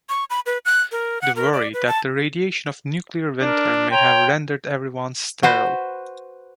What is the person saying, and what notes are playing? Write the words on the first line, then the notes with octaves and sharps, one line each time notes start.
They worry that the radiation of the nuclear winter may have rendered everyone sterile.
C#6
B5
B4
F#6
A#4
F#5
A#4
D5
B4
A5
D4 A#4
C#5 G5 A#5 C6
F#4 B4 C5